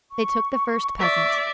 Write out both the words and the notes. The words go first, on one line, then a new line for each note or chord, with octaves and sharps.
They took the first peasant.
C#6
D5 E5